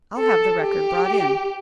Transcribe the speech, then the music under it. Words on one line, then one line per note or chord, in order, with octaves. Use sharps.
"I'll have the record brought in."
A4
G4